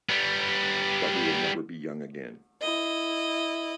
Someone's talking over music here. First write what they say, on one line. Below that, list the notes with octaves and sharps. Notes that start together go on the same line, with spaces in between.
But we will never be young again.
G3 B3
E4 D#5